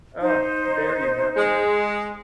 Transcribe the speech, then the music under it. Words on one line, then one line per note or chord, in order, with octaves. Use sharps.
Ah, there you have me.
D#4 C5
G#3